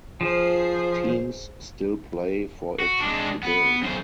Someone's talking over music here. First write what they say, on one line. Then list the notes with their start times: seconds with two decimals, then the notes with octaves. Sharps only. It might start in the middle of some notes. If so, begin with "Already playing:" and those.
Teams still play for it today.
0.21 F3 G#4 C5
2.80 F#4
3.01 G#3 D4
3.43 B3
3.82 F#2 C5